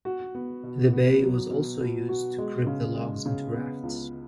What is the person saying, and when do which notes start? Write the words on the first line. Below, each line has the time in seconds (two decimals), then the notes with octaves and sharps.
The bay was also used to crib the logs into rafts.
0.05 F#4
0.35 B3
0.63 B2
0.93 B3
1.22 F#3
1.51 B2
1.80 B2
2.09 F#4
2.38 G#3
2.67 C#3
2.96 G#3
3.26 C#3
3.53 B3
3.83 C#2